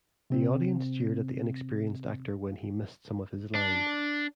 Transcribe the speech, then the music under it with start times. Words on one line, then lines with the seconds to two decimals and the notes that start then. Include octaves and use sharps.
The audience jeered at the inexperienced actor when he missed some of his lines.
0.30 C3 C4
3.55 D4